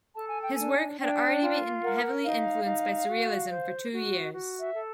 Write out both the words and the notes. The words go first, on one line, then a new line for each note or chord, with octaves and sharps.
His work had already been heavily influenced by surrealism for two years.
A4 A5
G#5
G5
D4 G#5
D4 G5
F4
A#4 F#5
D#4 F5
D#4
F#4
C5
F#4
F#4
E5
A4